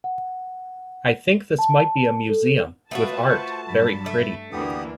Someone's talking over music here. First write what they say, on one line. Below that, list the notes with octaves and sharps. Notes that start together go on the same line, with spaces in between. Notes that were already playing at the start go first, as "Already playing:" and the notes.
I think this might be a museum, with Art, very Pretty.
F#5
A5
A4
A3 B3 F4 F#4 B4 A5
C5 C#6
G2 F#3 B5
A3
D2 E3 A#3 B3 D4 G4 D#6